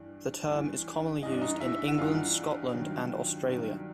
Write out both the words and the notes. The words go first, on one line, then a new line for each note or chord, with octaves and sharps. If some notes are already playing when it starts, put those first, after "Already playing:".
The term is commonly used in England, Scotland and Australia.
Already playing: G2 E3 D4
G2 E3
G2 E3 D#5
D5
D#4 D#5
E4 E5
F#5
G2 E3 F4 F5
G2 D#3 F#3
G2 D#3 F#3